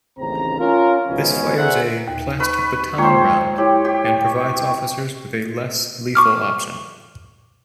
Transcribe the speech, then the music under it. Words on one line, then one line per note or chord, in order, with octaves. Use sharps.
This fires a 'plastic baton round' and provides officers with a less lethal option.
A1 D#2 C#3 C4 A#5
C#4 F4 A#4
C#2 G#2 B2 E3 B3 C#4
G#4 A#4 C5 D5 E5 F#5
D#2
B4 B5 C#6
G#3 A#3 F4 C5 C#5 G5
E4 G4 C#5
G4
C#6
C#6 D6 F6